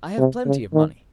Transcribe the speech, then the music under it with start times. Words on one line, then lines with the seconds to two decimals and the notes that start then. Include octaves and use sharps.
I have plenty of money.'
0.18 C3
0.46 C#3
0.73 D#3